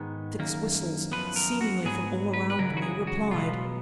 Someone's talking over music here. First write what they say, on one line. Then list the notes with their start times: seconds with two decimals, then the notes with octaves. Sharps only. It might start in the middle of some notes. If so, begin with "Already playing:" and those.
Six whistles--seemingly from all around me--replied!
Already playing: G#2 D#3 G#3 B3
0.39 F#2 D#3 A#3
1.12 F#2 F3 B3 B4
1.36 A#4
1.61 F#4
1.85 G#2 F#3 B3 G#4
2.33 B4
2.50 B4
2.59 F#2 C#3 F#3 A#4
2.77 F#4
2.82 G#4
3.07 F#4
3.31 B2 F#3 B3 F4